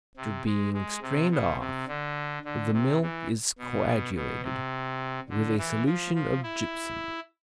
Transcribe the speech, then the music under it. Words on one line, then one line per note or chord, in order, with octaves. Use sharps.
After being strained off, the "milk" is coagulated with a solution of gypsum.
C3
G#3
G#3
C3
B2
C3
D3
D3
C3
E3
B2
B2
C3
D3
E3
F3
F3
E4